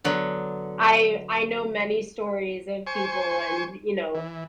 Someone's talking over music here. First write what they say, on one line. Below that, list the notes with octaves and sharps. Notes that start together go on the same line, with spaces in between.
I I know many stories of people and, you know,
D3 F#3 B3
C5 G#5 C#6
E3